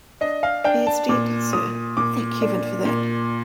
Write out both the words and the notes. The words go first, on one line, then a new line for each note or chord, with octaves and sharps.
'He is dead, sir.' 'Thank heaven for that.'
D4 D#5
F5
D4 G5
A5
A#2 D6
A#2 D#6
A#2 D6
D4
A#2